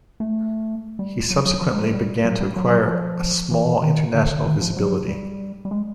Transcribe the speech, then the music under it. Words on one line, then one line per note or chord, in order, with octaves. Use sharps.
He subsequently began to acquire a small international visibility.
A3
G3
F#3
F#3
F3
G#3
G#3
G3
F#3
G3
F#3
F3
E3
D#3
D3
D#3
F3
F#3
G3
G3
G#3